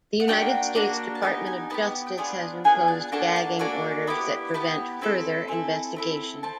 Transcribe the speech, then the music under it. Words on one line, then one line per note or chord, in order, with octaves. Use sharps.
The United States Department of Justice has imposed gagging orders that prevent further investigation.
F#5
A#3 D4 F#4 G5
A#3 D4 F#4
A5
B3 D#4 G4 G#5
G#5
B3 D#4 G4 A5
G5
B3 D4 F4 G#4 G#5
B3 D4 F4 G#4 G#5
A5
A#3 D4 F#4 A4 A5
A5
A#3 D4 F#4 A4 G#5
B3 E4 G4
B3 E4 G4 A5
C4 E4 A4 G#5
C4 E4 A4 G#5
C4 E4 A4
C4 A5